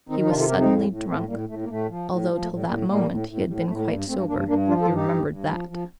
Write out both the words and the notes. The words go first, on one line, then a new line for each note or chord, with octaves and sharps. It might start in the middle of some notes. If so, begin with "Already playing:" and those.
He was suddenly drunk, although till that moment he had been quite sober, he remembered that.
D#3 C4 D#4
D#4
C3 D4 F4
F4 A4
F2 G4 A#4
C4 D#4
A2
A2
A2 A3 C4
A2 G3 A#3
A2 A3
A#3
A2 A3
F3
A2
F3 G3
A3
A2
G3
A2 G3 A#3
A2 G3 A#3
A2
A2
A2 G3
A3
A2 A3
A3
G2 G3 A#3
G2 A3 C4
G2 A#3 D4
G2 A#3 D4
F3 D4 F4
F4 A4
G2
D#4 G4
G2
G2
F3
F3